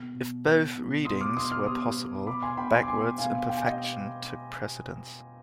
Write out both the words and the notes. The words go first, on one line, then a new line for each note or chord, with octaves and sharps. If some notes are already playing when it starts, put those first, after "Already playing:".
If both readings were possible, backwards imperfection took precedence.
Already playing: B2
B2
B2
B2
B2 C6 D#6
D6 F6
B2 C6 D#6
D6 F6
B2 C6 D#6
B2
B2 B5 D6
G#5 C6
B2 G5 B5
G#5 C6
D6
B2 G#5 C6
B2 F5 G#5
B2 G5
G#5
D#5 G5